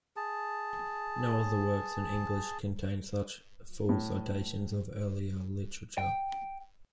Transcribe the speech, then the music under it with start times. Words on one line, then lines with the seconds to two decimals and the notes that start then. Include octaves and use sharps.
No other works in English contain such full citations of earlier literature.
0.16 G#4 A5
3.89 A2
5.98 G5